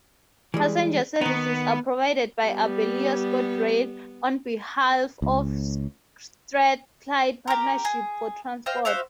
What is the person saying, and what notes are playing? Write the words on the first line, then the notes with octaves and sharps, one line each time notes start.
Passenger services are provided by Abellio ScotRail on behalf of Strathclyde Partnership for Transport.
E3 G3 G#3
D#3 B3 D#4
G3 B3
C#2
G4 A#4
G#4
C5 D#5 F5 G5
F#4 C5 E5 F5